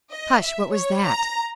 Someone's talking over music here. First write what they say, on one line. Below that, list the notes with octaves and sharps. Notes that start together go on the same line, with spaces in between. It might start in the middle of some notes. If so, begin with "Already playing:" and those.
"Hush! what was that?"
D#5
E5
C#5
A#5